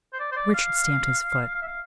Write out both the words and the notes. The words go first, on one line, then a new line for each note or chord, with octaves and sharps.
Richard stamped his foot.
C5
D5
C5
D5
F5
F5
E5
F5